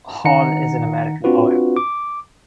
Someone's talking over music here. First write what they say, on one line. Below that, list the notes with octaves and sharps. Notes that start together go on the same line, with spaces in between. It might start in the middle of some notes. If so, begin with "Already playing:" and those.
Hall is an American lawyer.
D#3 D#4 F#5 A#5 C#7
C4 D4 F4 F#4 B4
D6